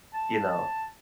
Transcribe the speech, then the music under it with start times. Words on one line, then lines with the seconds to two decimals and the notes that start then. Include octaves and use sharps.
you know?
0.13 A5
0.51 A5